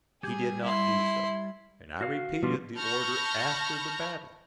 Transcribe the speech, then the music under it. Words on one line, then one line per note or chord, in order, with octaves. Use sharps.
He did not do so, and I repeated the order after the battle.
G3 G#4 G#6
E4 C6
F#4 F5
B2 F3 G3 F4
A5 B5 C#6 F6 G6 A#6